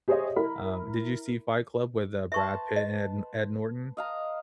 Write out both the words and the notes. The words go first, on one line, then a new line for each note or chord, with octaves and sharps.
Um, did you see Fight Club with, uh, Brad Pitt, and Ed Ed Norton?
G4 G#4 C5 C#5 D#5 E5
E4 A#4 B5
B4 C5 E5 A5 C#6
D#5
D#5 F5 A#5